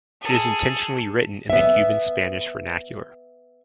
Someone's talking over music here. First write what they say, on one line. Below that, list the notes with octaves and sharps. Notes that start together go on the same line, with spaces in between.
It is intentionally written in the Cuban Spanish vernacular.
G#4 A4
B3 E5